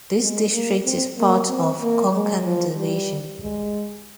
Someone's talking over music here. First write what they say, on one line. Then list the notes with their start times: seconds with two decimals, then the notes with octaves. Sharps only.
This district is part of Konkan division.
0.21 G#3
0.53 A#3
0.85 C4
1.17 A#3
1.49 C4
1.81 A#3
2.13 G#3
2.45 F3
2.77 G3
3.41 G#3